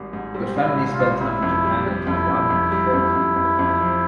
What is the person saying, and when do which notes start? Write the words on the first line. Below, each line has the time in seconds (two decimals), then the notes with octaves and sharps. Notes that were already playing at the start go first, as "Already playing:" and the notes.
The family spent time in Japan and Taiwan before moving to Hawaii.
Already playing: G#1 G#2 G3
0.13 G#2
0.35 G3 C4
0.56 G#1
0.63 E4
0.77 G#2
0.92 F4
1.00 G#1
1.21 C3 E4
1.42 F2
1.65 G3
1.86 G3
2.07 F2 E4
2.29 F2
2.50 F2
2.72 G3
2.94 F2
3.16 F2
3.36 F2
3.59 F2
3.81 F3